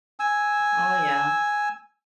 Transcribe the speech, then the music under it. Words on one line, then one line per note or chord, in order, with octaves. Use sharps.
Oh, yeah.
G#5 E6